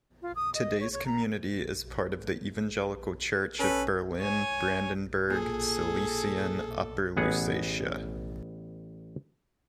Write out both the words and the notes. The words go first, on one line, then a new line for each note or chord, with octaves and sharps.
Today's community is part of the Evangelical Church of Berlin-Brandenburg-Silesian Upper Lusatia.
F4
D#6
D#5
C#5
C#5
A#5
C#4 A4 B4
C#5 G#5
A#2 G#4 A4
A1 B3 G#4 F#5